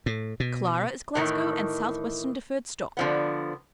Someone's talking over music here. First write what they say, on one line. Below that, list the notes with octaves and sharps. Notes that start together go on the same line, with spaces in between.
Clara is Glasgow and South-Western Deferred Stock.
A2
B2
A2 D#3 E3
D3 F3 B3